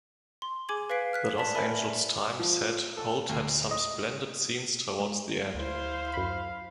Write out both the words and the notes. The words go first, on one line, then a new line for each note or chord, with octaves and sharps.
The "Los Angeles Times" said Holt had "some splendid scenes towards the end".
C6
G#4 G#5 D6 G#6 F#7
B4 F5 F#6 B6 C7 D7
F6 F#6 B6
D5 A5 B6
A#4 D5 E5 G#5 B5
F3
A4
D2
D#5
G#3
D2 E4 C5 F5
F#2 B5